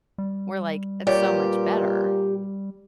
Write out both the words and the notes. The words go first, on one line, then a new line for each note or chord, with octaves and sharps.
we're like, "It's so much better."
G3
A#2 G4 B4 C#5 D5